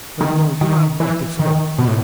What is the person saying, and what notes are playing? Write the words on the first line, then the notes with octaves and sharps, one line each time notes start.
But no, you are not afraid.
D#3
D#3
E3
D#3
B2
A2